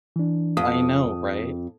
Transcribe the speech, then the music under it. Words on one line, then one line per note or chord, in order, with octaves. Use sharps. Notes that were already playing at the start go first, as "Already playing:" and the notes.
I know, right?
E3 D4
F2 D#6